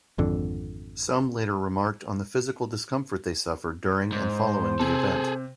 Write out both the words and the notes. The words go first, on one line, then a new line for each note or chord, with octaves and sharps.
Some later remarked on the physical discomfort they suffered during and following the event.
G#1 F2 D3
G#2 C5
C3 G#4 A4